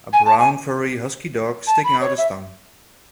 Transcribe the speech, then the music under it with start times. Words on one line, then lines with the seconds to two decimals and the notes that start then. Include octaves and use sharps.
A Brown furry husky dog sticking out his tongue.
0.13 G#5
0.25 A5
0.39 G#5
1.67 A5
1.84 B5
2.01 C#5
2.18 E5